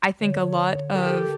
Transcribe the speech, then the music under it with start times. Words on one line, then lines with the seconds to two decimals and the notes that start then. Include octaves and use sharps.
I think a lot of
0.21 D3 C#5
0.95 G4 A4 A#4